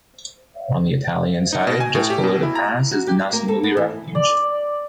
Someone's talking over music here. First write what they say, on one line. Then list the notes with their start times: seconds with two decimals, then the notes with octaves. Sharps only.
On the Italian side, just below the pass, is the Nacamuli refuge.
1.53 D#4
1.67 B2
1.80 G#5
1.95 A2
2.10 G4
2.23 B2
2.43 E4
2.55 A#5
2.91 F#4
3.07 G4
3.19 F5
3.33 A#3
3.48 A4
3.63 B3
3.77 E3
4.15 D5